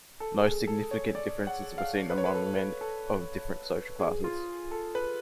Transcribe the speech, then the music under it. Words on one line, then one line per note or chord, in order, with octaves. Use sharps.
No significant differences were seen among men of different social classes.
A4
G#4
A4
C#5
D5
F#5
F5
B4
C#5
B4
A4
B4
A4
G#4
F4
A4
B4